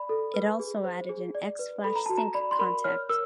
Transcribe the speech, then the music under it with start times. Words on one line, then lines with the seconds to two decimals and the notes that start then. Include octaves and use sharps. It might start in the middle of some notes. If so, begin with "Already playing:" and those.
It also added an X flash synch contact.
Already playing: D5 B5
0.09 A4
0.34 B4
0.60 G#4
0.84 C5
1.09 G#4
1.35 D5
1.59 B4
1.84 A4 B5
1.96 A#5
2.06 F#4 A5
2.17 A#5
2.34 D5 B5
2.51 C6
2.59 A#4 B5
2.84 C#5 F6
3.09 A#4 E6